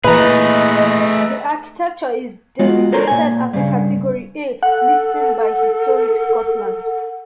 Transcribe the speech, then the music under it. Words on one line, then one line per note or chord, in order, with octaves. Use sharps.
The architecture is designated as a Category 'A' listing by Historic Scotland.
A#2 E3 A3 G#4 B4 D#5 A#5
G#3 B3 F4 F#4
A4 A#4 C5 C#5 A#5 C6
A#2 G#5
G2 C#3
A4 F#5